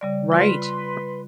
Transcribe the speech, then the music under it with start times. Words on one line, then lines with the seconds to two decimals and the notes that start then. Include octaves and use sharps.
Right. R
0.01 C#3 G3 D5
0.32 F4 B4 C6